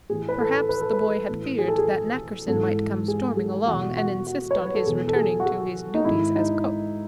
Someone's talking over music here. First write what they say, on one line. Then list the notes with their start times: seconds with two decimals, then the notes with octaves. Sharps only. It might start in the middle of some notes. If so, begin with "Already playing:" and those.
Perhaps the boy had feared that Nackerson might come storming along, and insist on his returning to his duties as cook.
0.10 A2 E3 G#4
0.29 B4
0.40 A4
0.69 B4
0.81 A4
0.93 B4
1.29 A2 E3
1.59 G#4
1.68 A4
1.78 G#4
2.48 G#2 E3 A4
3.08 G#4
3.37 G#4
3.67 E2 B2 F#4
3.97 F#4
4.27 F#4
4.51 C#5
4.56 B4
4.75 A4
4.85 E2 B2 G#4
5.08 A4
5.16 G#4
5.40 F#4
5.46 G#4
5.95 D#4
6.05 G#2 D#3 E4
6.35 D#4